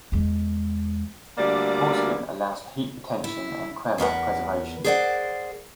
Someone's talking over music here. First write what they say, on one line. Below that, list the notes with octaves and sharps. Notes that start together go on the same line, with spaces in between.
Porcelain allows for heat retention and crema preservation.
E2 G#3
D2 G3 A#3 D5
E4
E2 A#4 B4 F#5
G#4 A#4 C5 D5 F5 F#5